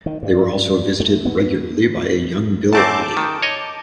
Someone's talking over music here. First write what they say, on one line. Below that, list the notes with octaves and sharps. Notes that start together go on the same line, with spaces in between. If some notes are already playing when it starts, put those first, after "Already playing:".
They were also visited regularly by a young Bill Oddie.
D#3
G2
A3
B3
F#2 A3 C4 A5 D6 G6
D#3
C#5 D#5